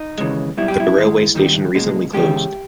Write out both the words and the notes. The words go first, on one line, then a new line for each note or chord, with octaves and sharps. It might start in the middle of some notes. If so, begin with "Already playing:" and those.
The rail way station recently closed.
Already playing: D#4
D#2 C#3 E3 G#3
B1 B2 G3 E4
G4
E4
G2 D#3 G#3
G#2 D#3 G3
B1 A#2 G#3
E2 C#3 G#3 G4